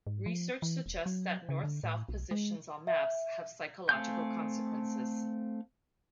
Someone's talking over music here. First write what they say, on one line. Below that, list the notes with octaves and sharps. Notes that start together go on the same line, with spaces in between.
Research suggests that north-south positions on maps have psychological consequences.
G#2
F3
E3
E1
F#3
C#3
D3
A2
B1
G#3
E5
A3 C4 F5 G#5 G6